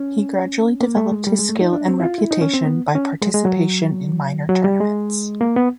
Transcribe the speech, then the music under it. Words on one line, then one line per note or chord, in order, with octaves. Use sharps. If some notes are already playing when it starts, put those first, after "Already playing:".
He gradually developed his skill and reputation by participation in minor tournaments.
Already playing: C#4
A#3
A3
G#3
G3
G#3
A3
D#4
D4
C4
E4
F4
E4
D#4
C#4
C4
B3
C#4
G#3
G#3
F#3
F#3
G3
G#3
A#3
B3